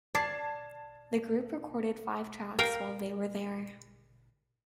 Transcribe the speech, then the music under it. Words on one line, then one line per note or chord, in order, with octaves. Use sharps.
The group recorded five tracks while they were there.
D5 A5 G#6 C7
A#4 F5 G5